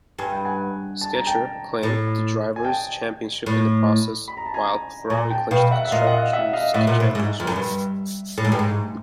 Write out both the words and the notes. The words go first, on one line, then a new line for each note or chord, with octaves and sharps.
Scheckter claimed the Drivers' Championship in the process, while Ferrari clinched the Constructors' Championship.
G2 G#5
G5
F#5 G#5
A5
A#5
G5 A5
A2
G#5
G5 A5
A2
B5
A#5
A5
G#5 A#5
A#2 G#5 A#5
G5 A5
B2 F5 G5
E5 F#5
E5
A#2 D#5 F5
F#5
D#5 F5
E5 F#5
D#5 F5
A2 E5 F#5
A#2
A2
G#2
F2
F#2
G2
A2
G#2
G2
G#2